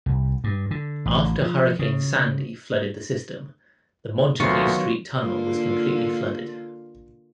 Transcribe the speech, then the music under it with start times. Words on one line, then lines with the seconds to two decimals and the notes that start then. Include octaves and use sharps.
After Hurricane Sandy flooded the system, the Montague Street Tunnel was completely flooded.
0.06 C2
0.44 G2
0.71 D3
1.06 A1
1.41 F3
1.79 C#3
4.40 D2 D#3 F#3 B3 F4 C#6
5.19 D3 A#3 F4